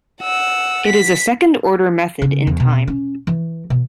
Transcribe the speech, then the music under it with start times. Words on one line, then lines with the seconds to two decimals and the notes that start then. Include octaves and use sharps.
It is a second-order method in time.
0.22 F#5 E6
0.87 B6
2.22 C#3
2.47 E2
2.60 B2
2.87 C#4
3.27 E3
3.70 B2